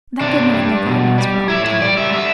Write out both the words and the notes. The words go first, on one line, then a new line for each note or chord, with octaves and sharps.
That good night in the garden was for all time.
C3 D4
G3
B2
G3
A2 E4
E4
G3 D5
E5
D3 E5